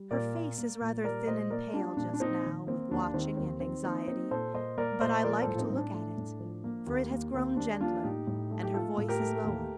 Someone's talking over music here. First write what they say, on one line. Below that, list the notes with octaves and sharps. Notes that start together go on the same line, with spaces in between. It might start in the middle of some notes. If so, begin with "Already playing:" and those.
Her face is rather thin and pale just now, with watching and anxiety, but I like to look at it, for it has grown gentler, and her voice is lower.
Already playing: G3
A#2 A#4 D5
A#3
A#3
A#2
G3 A#4 D5
A#2 C5 D#5
A#3 A#4 D5
G3 D4 F4
A#2 D4
D4
A#2 C4 D#4
D#3
A#3 C4
D#2 D4
D#3 C4
D#2 C4
D#3 C4
A#3 C4 D#4
A#3 C4 D#4
A#2 A4 C5
A#3 C5 D#5
A#3 A#4 D5
A#2 C5 D#5
F3 A#4 D5
A4 C5
A2
F4
C4 D#4
A2
D4
A3
A2
F3
A#3
D#2
A#3
D#2 C4
D#2 D4
A#3 D4 F4
A2 D#4 G4
A2
A3
G4
A3 F4 A4
A2
G4 A#4
A3
D#2